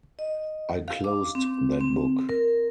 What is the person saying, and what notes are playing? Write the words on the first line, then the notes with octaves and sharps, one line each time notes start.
I closed that book.
D#5
F5
D6
C4
C4
A#4